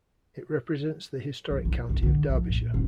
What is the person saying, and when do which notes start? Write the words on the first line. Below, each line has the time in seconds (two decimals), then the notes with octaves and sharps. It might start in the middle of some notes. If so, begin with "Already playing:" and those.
It represents the historic county of Derbyshire.
1.50 F3
1.65 E4
1.89 E1
2.02 D3
2.29 F3
2.49 A#2
2.74 D#1